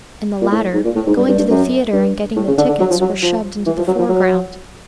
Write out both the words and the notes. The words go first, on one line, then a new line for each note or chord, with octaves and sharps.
In the latter, going to the theatre and getting the tickets were shoved into the foreground.
A#2
A2
G#2
A#2
A2
G#2
G2
G2
G2
F#2
G2
A2
C#3
D3
D3
F#3
F3
F#3
F3
E3
F3
F#3
F3
F#3